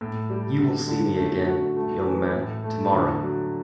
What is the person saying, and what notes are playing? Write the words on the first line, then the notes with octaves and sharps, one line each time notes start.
You will see me again, young man, tomorrow.
A2
G3
D3
D3
A3
F#4
A3
E3
A2
A3
D3
F#3